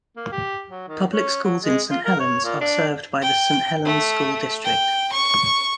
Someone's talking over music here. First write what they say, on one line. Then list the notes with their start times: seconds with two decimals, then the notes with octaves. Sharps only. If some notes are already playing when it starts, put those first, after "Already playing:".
Public schools in Saint Helens are served by the Saint Helens School District.
0.17 A#3
0.32 G4
0.70 F#3
0.88 D#3
1.12 C#4
1.44 F#3
1.64 G#3
1.90 F4
2.05 A#4
2.20 C#5
2.44 A#2
2.61 D4
3.22 G5
3.84 A3
4.63 G5
5.12 C#6